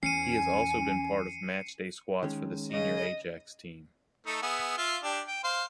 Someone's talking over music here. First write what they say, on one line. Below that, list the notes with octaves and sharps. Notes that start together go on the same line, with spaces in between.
He has also been part of matchday squads for the senior Ajax team.
E2 C#4 G#5 C7 C#7 D#7
D#3 G#3 C#4
C#3 D#5
A3 D#4 A4
B3 G#4 E5
F4 E5 F5
D4 G4
G5
C5 F5